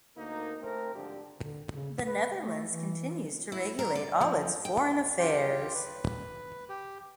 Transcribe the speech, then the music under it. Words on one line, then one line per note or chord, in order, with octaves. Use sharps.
The Netherlands continues to regulate all its foreign affairs.
D2 A#3 D#4
A3 C4 A#4
G#1 G#2 D3 F3 D4 G4
D3
C#3
B4
A3
E3
E4
A#4
D5
F3
G5
F4 G4
B4
G4